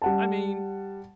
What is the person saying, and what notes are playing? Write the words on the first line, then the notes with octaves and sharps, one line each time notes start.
I mean,
G3 F#5 A5